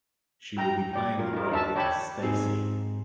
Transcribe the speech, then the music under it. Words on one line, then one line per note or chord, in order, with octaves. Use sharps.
She will be playing the role as "Stacy".
E4 G5 A#5
D5 G5
F4 A#4
D#4 A#4
D4 E5 A5
C#5 D5 G5 A5 B5
G#2 C4 D#4 G#4